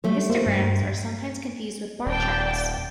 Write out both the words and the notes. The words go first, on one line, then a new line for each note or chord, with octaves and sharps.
Histograms are sometimes confused with bar charts.
G3 A3 C#5
A#3 C5
G2
D#1 D5 G5 A5